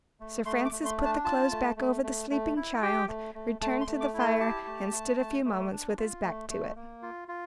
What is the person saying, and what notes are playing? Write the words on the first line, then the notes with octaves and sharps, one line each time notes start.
Sir Francis put the clothes back over the sleeping child, returned to the fire, and stood a few moments with his back to it.
A3
A3 C6
D6
A3
C6
D4
A5
F4 A5
A3
A3
A3
A3
E4
G4 G5
A3
A3
A3 A5
C6
A3
D6
E4
C6
G4 A5
A3
A3
A3
A3
D4
F4
A3
A3
A#3
F4
F4